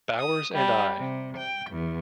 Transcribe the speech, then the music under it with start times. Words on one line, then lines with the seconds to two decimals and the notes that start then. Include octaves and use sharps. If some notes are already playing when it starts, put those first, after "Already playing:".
Bowers and I.
0.20 D#6
0.55 G3
0.96 C3
1.36 G5
1.69 E2